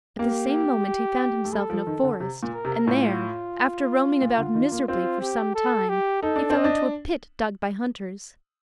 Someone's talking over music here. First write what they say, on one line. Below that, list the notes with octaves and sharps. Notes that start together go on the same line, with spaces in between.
At the same moment he found himself in a forest, and there, after roaming about miserably for some time, he fell into a pit dug by hunters.
A#3 G4
A3
G3 A4
F3
D#3
D3
C3
A#2
A#4
C3
A2 F4
A#2
D3
D#3
A#3
C4 F4
G4
A4
G4
D#4 A4
D4
C4
D#5
D4